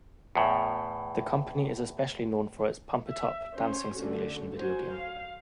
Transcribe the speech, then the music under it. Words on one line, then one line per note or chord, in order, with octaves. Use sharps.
The company is especially known for its "Pump It Up" dancing simulation video game.
E2 A2
E5
C#4 C5 C#5
D3 A3 C#4 F#4
F#3 F#4 C5 G#5
F5